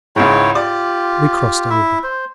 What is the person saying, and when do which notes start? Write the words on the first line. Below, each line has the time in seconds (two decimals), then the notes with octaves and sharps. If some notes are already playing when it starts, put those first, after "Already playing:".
We crossed over.
0.16 C#2 G#2 E4 C#5 G5
0.55 F4 G4 D5
1.70 E4 E5
2.03 C5